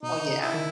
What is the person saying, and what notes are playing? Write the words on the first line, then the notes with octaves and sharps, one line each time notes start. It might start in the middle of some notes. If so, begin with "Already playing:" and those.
Oh, yeah.
B2 D#4
C#3
E4
D#3